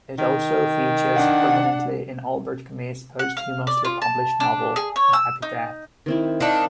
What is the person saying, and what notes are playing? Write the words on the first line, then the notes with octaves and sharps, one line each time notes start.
It also features prominently in Albert Camus' posthumously published novel, A Happy Death.
D#3
D4 F#5
F#5
F5
D5
F4
A5
D4
G#4
C#5
E6
D#4
D#3 C4 E4
D#3 D4 F5